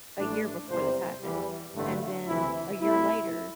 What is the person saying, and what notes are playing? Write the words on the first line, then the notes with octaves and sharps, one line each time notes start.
a year before this happened. And then a year later,
A1 A2 A3 D4
E2 C3 G3 C5
E2 E3 G3
A1 G2 D3 A3
D2 C3 E3 E4
C2 C3 A3 E4